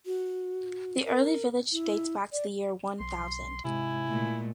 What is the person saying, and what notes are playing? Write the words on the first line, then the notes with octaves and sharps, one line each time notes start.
The early village dates back to the year One Thousand.
F#4
A#4
E4
D5
B1 C6
G#2 C3 E4 G#5
A#2 G#3 A3